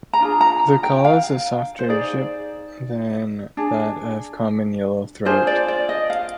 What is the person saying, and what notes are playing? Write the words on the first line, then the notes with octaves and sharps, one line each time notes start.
The call is a softer "jip" than that of common yellowthoat.
A#5
D4 F4 G#4
A#5
G5
F5
C5
D#4 G#4 D5
D4 G#4
D4 F4 G#4 C5
D5
D5
D#5
F5